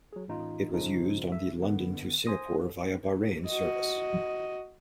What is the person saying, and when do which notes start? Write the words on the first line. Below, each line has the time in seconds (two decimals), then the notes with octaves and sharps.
It was used on the London to Singapore via Bahrain service.
0.13 F#3 G#4
0.28 A1 D#4 F4
0.71 G#1 G#2 C#3 F3 D#4
1.32 E5
1.60 D3 B3
2.26 C5 G#5 C6 D#6 A#6
3.46 F#4 D#5